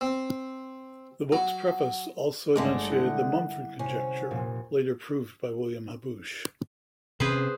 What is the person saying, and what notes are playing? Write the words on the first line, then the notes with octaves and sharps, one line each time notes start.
The book's Preface also enunciated the Mumford conjecture, later proved by William Haboush.
C4
F#3
G1 D3 G#3 A3 D6
E4 F#5 G6
C3 C#4
F1 A#2
C3 C4 C#4 G#4 B4 C5